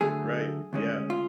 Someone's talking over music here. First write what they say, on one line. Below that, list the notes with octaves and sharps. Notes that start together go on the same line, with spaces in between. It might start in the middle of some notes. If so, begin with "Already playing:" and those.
Right, yeah.
D2 D3 F#3 A3 G#4
D2 C#3 G#3 C#4
F4